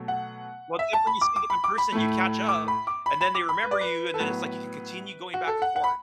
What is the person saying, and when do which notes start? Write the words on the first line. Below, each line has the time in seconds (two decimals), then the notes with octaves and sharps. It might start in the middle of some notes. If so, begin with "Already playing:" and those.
well, then when you see them in person, you catch up, and then they remember you, and then it's like you can continue going back and forth.
Already playing: B2 F#3 A3
0.08 F#5
0.79 E5
0.93 A5
1.07 B5
1.21 D6
1.36 D6
1.50 B5
1.64 D6
1.78 B5
1.92 A2 A3
2.49 D6
2.68 B5
2.87 D6
3.06 B5
3.21 B5
3.34 D6
3.49 B5
3.63 B4
3.71 D5
3.81 B4
4.14 A4
4.20 A2 F#3 B3 B4
5.34 F#4
5.47 A4
5.62 F#5
5.76 F#5
5.84 B5